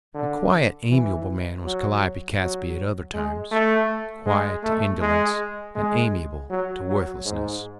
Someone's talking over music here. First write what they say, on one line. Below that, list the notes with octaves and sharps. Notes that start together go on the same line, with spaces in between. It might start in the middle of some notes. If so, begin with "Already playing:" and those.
A quiet, amiable man was Calliope Catesby at other times--quiet to indolence, and amiable to worthlessness.
D3
E3
F#3
F#3
G#3
A3
G#3
A3
G#3
G#3
F#3
F#3
G#2